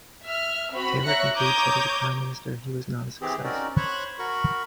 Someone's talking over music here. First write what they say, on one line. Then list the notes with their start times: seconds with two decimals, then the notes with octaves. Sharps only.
Taylor concludes that as prime minister, he was not a success.
0.23 E5 F6
0.72 C4 F#4 B5
1.04 C#5 E5 A#5 F#6 A#6 C#7
1.35 C#5 A#5 D6 D#6 G6 G#6
3.22 E3 C4 G4 G#4
3.44 C4 C#4 D#4 F#4 A#4 D5
3.77 C5 C#5 B5 C#6 F#6
4.19 F#4 A#4 B5 C#6